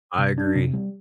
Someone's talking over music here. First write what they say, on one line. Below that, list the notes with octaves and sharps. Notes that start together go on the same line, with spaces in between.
I agree.
C3
D4
C3
G3